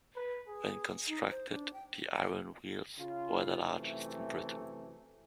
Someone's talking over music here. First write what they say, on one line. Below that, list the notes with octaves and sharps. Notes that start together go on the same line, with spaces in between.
When constructed, the iron wheels were the largest in Britain.
B4
G#4
D#4
C5
D4
G5
C#3 F4
F#2 C3 E3 A3